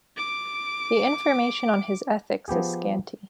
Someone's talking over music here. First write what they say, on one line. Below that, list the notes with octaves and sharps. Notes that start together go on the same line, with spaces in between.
The information on his Ethics is scanty.
D6 D7
F3 B3 G4 G#4